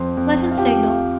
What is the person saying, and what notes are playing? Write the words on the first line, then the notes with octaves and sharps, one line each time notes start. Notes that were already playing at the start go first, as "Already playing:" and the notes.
"Let him signal."
Already playing: F2 C5 C6
F2
F5
F3 G4 G5
F5